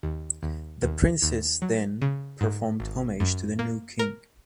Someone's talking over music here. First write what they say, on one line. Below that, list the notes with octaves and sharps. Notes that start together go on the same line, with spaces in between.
The princes then performed homage to the new king.
D#2
D#2
D#2
D#2
F#3
C#3
G#2
G#1
F#2
A#3
A#4